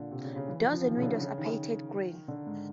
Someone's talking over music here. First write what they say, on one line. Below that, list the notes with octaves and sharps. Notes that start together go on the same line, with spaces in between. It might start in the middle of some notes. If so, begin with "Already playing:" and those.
Doors and windows are painted green.
Already playing: A#2 D3
C3
C#3
C#3
E3
F3
F3
D#3
C#3
D3
C#3
D#3
D3
G#2